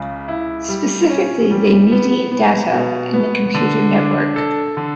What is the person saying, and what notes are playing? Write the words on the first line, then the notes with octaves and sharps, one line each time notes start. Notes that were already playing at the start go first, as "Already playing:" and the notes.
Specifically, they mediate data in a computer network.
Already playing: C#2 C#3
E4
G3
C#4
G3
B3
B3
B2
B3
D3
D4
A4
D3